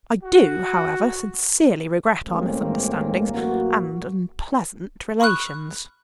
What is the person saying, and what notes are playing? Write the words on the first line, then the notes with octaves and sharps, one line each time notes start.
I do, however, sincerely regret our misunderstandings and unpleasant relations.
F#4
A1 G2 G#3 A#3 C4 C#4
A1 F#3 A#3 F#4
B5 C#6 D#6 F6 F#6